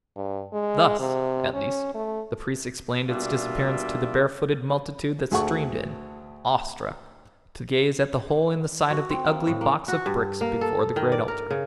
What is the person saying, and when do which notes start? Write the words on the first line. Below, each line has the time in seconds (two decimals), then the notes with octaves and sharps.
Thus, at least, the priests explained its disappearance to the barefooted multitude that streamed in, awestruck, to gaze at the hole in the side of the ugly box of bricks before the great altar.
0.16 G2
0.53 G#3
1.00 C3
1.53 C#4
1.94 A3
3.09 B2 G3 A#3 D4 F4 E5
5.31 D2 G#4 A4 F#5 C#6
8.90 F#4
9.10 C4
9.25 A#3
9.47 A2
9.61 A#3
9.88 F#4
10.06 G2
10.41 A#3
10.61 A4
10.96 D#3
11.12 D5
11.28 A#4
11.51 C#3